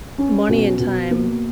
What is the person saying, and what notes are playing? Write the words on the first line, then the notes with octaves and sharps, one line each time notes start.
money and time,
C#4
B2
B2
A#3